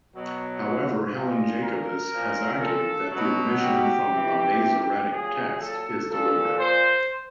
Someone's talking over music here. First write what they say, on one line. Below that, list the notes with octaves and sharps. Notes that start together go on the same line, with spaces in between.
However Helen Jacobus has argued that the omission from the Masoretic text is deliberate.
B2 F#3
A#2 F3
A#4
A#2 F3
A4
B2 F#3
G4
C3 E3
A#2 F#3 G#4
A4
A#2 F3 A4
C5